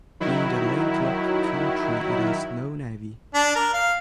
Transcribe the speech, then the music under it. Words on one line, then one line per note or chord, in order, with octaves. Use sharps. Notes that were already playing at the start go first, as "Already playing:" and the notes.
Being a landlocked country, it has no navy.
D#3 F#3 E4
D4
A#4
F5